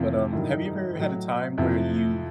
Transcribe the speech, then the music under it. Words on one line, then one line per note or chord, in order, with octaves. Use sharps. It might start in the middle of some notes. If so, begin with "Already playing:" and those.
But, um, have you ever had a time where you,
Already playing: F2 C3 E3 F4
G2 D#3 F#3 E4
D#4
D#4
A2
F#3
F2 C3 F3 E4